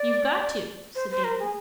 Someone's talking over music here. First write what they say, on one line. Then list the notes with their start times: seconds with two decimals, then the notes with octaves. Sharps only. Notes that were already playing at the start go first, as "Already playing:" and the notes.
"You've got to," said Davy.
Already playing: D5
0.95 C5
1.10 C5
1.24 A#4
1.40 G#4